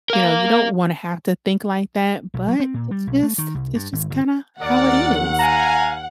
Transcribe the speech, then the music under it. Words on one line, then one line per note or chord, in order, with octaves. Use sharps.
you know, you don't wanna have to think like that, but it's just it's just kinda how it is.
A#4 F5
B1
F#3
C4
A#2
G3
B1
A3
D#3
C2
G2
G#1
G1
D#2 A#4 D5 F#5
F5 G#5 A#5